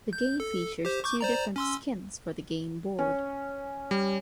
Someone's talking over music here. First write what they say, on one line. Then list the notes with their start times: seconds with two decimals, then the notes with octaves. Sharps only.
The game features two different "skins" for the game board.
0.13 G6
0.40 A4
0.85 G4 C5
1.04 C#6 D6 G6
1.21 C5 D5 A#5
1.56 C#4 C6 E6
2.99 C#4
3.91 G3